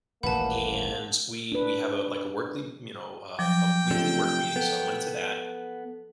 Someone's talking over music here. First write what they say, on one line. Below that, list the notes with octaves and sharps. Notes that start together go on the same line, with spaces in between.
and we we have a like a workly m you know, a a weekly work meeting, so I went to that.
D#1 A1 E2 A#3 B4 F#5 A5
D4 B4
F3 F#3 G5 D6 A#6
C3 A3 D4 F4
B3 A4